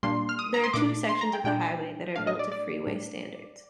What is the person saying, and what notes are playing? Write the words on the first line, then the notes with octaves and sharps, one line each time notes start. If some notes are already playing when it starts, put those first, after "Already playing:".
There are two sections of the highway that are built to freeway standards.
A#2 G3 A#3 D4 C6
F6
D#6
A#5
C6
A#2 A3 D4 D6
C6
A#5
G5
A#2 G3 D4 G5
A2 A3 D4 F5
D#5
D5
D5
A2 G3 D4